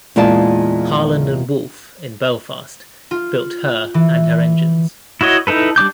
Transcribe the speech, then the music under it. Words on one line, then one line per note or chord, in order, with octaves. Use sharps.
Harland and Wolff in Belfast built her and her engines.
E2 A#2 G#3 F4 D5 A5
F4
E3
E4 F#4 C#5 D#5
D#4 E4 A4 B4
G3 D4 D6 G6